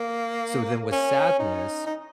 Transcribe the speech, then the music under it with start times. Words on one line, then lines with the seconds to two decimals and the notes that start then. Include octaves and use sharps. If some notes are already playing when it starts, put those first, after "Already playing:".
so then with sadness,
Already playing: A#3
0.92 C#4
1.39 D#4
1.86 D#4